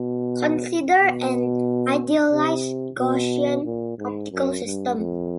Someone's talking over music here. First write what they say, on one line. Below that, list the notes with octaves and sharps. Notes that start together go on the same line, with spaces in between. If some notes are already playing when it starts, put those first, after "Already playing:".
Consider an idealised Gaussian optical system.
Already playing: B2
B2
C3
B2
A#2
G#2
F#2
G2
F2